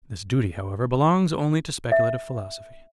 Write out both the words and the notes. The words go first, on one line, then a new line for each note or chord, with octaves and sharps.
This duty, however, belongs only to speculative philosophy.
E5